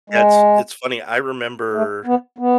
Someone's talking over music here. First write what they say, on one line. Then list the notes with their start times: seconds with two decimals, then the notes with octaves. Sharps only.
That's it's funny, I remember
0.10 G#3
1.73 A3
2.05 B3
2.38 B3